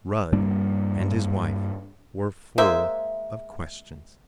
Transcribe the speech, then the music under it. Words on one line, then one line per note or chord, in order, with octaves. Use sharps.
Rudd and his wife were full of questions.
G2 G3 A#3 D4
G#3 A#3 C5 E5